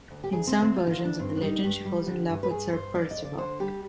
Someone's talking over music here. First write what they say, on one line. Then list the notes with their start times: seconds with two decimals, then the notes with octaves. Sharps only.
In some versions of the legend, she falls in love with Sir Percival.
0.10 D2
0.24 G4
0.32 D2 G#4
0.47 C4
0.55 D2
0.62 C4
0.76 D2 F4
0.87 D#4
0.91 F4
0.98 D2
1.05 D4
1.19 G2 C4
1.37 D4
1.41 G3 D#4
1.63 G2 G4
1.85 G3
2.07 D3
2.29 G2
2.43 B4
2.50 G2 G#4
2.73 G2 C5
2.94 F2 D5
3.11 D#5
3.16 F2
3.25 D5
3.38 D3 C5
3.60 G3 G4